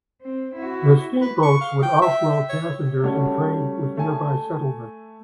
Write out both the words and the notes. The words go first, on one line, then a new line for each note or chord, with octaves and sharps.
The steam boats would offload passengers and trade with nearby settlements.
C4
E4 F#4
B4
C#6
F5
G5
E5
C#5
G3 A3 C#4 F#4 C#5
A3 G#5